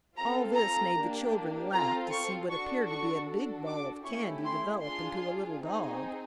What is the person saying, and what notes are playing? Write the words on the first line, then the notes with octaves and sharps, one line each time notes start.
All this made the children laugh to see what appeared to be a big ball of candy develop into a little dog.
C4 F4 A4 A#5
A#5
A#3 D4 G4
C4 F4 A4 A#5
C#6
D4 F#4 A4 C#6
C#6
D4 F#4 A4
D6
A3 C#4 E4 G4 C#6
C6
D4 F4 G#4 C6
C4 D#4 G#4